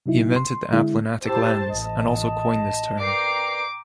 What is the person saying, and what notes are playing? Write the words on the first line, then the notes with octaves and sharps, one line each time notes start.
He invented the aplanatic lens and also coined this term.
C3 F#3 D#4 E4
C6
D3 G#3 E4
A2 E4 G4 C5 A5 E6
A1 D#5 A5
A#4 B4 D5 G5 A#5 D6 C7